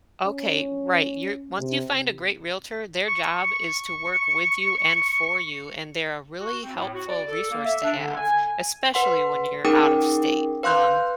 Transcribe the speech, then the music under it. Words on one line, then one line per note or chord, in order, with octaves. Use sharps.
Okay, right, you're once you find a great realtor, their job is to work with you, and for you, and they're a really helpful resource to have, especially when you're out of state, um,
C#4
C3
C#6
C#6
F#4
C4
A2
F#4
D5
A4
A#3
E5
D4
D3
G#5
B4 F#5 C6
C#4 D#4 G#4 A#4 G5 D6
B4 F5 C6 F#6 G6